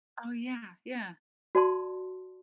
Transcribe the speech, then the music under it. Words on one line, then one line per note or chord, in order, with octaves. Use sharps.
Oh, yeah, yeah.
F#4 D5 A5 C6